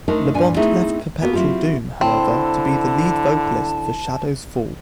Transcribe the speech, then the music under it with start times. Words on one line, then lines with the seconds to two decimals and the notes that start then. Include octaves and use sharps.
Labonte left Perpetual Doom, however, to be the lead vocalist for Shadows Fall.
0.08 A3 D4 D#4 A#4 C5
0.34 G2 A#2 D4 G#5
0.56 A3 B3 C4 D#4 E4 G#4
1.21 A#3 B3 F#4 A4
1.33 F#3 C4 E4 F4 G4
2.01 D3 C4 E4 A5